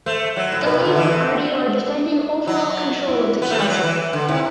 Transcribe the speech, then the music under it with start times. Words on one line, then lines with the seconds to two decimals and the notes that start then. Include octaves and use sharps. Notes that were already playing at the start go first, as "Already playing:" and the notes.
The Labour Party are defending overall control of the council.
0.06 A3 C5
0.37 F#3
0.52 A2
0.63 B2 B4
0.74 C3
0.81 D3 A4
0.97 E3
1.12 A4
1.27 F#4
1.87 D4
2.47 F#3
3.08 E4
3.42 B3
3.50 A3
3.59 G3
3.68 F#3
3.84 E3
4.13 D3
4.28 C3 E4